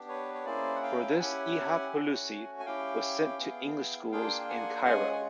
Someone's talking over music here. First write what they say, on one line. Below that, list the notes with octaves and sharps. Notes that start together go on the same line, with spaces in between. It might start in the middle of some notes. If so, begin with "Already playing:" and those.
For this Ihap Hulusi was sent to English schools in Cairo.
Already playing: B3 D4 G4
B4 C#5
C#5
A#3 C#4 E4 G#4 C5 D5
F#5
F5 G5
A5
C#4 E4 G4 F#5 G#5
A3 C#4 F#4
G#5
C#4 E4 G4 F5 G5
B3 E4 G#4
A#3 D4 F4 G#4 F5 G5
G5
F#5 G#5
G#3 C#4 F4 G#4 F#5 G#5
G#5